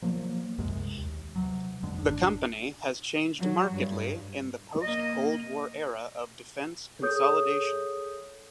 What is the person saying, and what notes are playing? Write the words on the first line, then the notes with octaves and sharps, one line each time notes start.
The company has changed markedly in the post-Cold War era of defense consolidation.
F3 F#3 A#3
C2 F#2 C3 G#3
D#2
C3 F#3
F1 F2 D3 G#3
G#1 C4 D4
F#3
G2
A#3 D#5
G#4 A4 C#5 D#6 G6